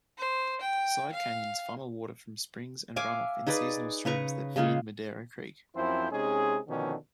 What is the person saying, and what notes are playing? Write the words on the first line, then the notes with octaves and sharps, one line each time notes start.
Side-canyons funnel water from springs and runoff in seasonal streams that feed Madera Creek.
C5
G5
F5
E5 F5 G#5 D6
D#4 G#4 B4 D5
C#3 B4 A#5 C#6
C#3 G#3 A#3 F4
F#2 F3 C4 E4 C5
C3 G#3 C#4 D#4 G#4
B2 D3 D#3 F3 C4 C#4